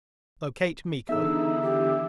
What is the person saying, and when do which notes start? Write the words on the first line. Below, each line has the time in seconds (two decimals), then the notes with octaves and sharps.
Locate Miko.
1.09 D3 E3 B3 D#4 G#4 A4 E5 E6
1.62 G4